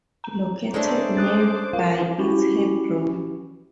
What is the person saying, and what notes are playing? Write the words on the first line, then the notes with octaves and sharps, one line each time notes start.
Located nearby is Hebron.
A#5
G#3 A3 D4 C5 C#5 D#5 E5 D6
C#4 D#6 F#6 A6
F4 A#4 F5
C#4 E4 F#4 G4